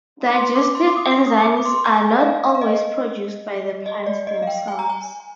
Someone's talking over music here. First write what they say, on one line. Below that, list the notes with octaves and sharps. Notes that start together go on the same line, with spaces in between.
Digestive enzymes are not always produced by the plants themselves.
D6
C6
D6
C6
D6
D#6
D#6
D6
D6
C6
A#5
G#5
D#5
F5
F5
D#5
D#5
D5
D#5
F5
G5
G#5
A#5
G#5